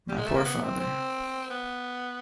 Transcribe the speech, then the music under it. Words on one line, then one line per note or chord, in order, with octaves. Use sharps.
My poor father!
G3
G#3
A3
A#3
B3
C4
C4
B3